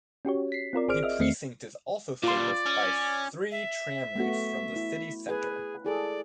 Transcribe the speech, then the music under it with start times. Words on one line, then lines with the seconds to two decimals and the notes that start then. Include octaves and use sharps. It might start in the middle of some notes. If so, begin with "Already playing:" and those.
The precinct is also serviced by three tram routes from the city centre.
0.25 C#4 F#4 G4 C#5
0.52 B6 C7
0.73 C4 F4 A#4 D5
0.88 G#1 G#4 C5 D5 F6 D7
1.03 D#5 E5 F6
1.19 E2 D#3 A3 C4 C7 C#7
2.24 A#2 G3 F4 D5 C6
2.66 C#4
3.52 E5
4.15 A3 B3 F#4
4.76 E4
5.29 G#4 B4
5.85 E4 G#4 A4 D5